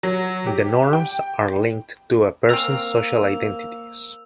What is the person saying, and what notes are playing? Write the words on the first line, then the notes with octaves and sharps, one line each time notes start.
The norms are linked to a person's social identities.
F#3
G4
G5
A#3 C4 A#4 E6 F7